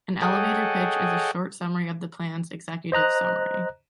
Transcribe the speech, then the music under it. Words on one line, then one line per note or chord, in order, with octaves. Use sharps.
An "elevator pitch" is a short summary of the plan's executive summary.
G#4 A4 C#5 D#5 F#5 G5
C5 D#5 A#5 F#6